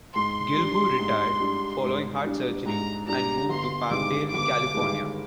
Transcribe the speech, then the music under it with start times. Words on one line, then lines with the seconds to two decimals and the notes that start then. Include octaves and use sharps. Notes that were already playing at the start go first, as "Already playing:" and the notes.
Guilbeau retired following heart surgery and moved to Palmdale, California.
0.15 G#2 C6
0.56 G3 D4
0.99 G#2
1.40 G3 D4
1.83 G#2
2.24 G3 D4
2.66 G#2 A#5
3.07 G3 D4 A#5
3.49 G1 C6
3.91 G2 D#3 G#3 D6
4.33 G1 D6
4.75 G2 D#3 G#3